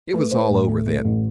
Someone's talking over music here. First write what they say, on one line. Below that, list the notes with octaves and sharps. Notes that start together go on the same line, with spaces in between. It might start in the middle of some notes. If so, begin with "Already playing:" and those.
It was all over then.
A3 B4
A3 C5
B4
A1
A3
A3
A1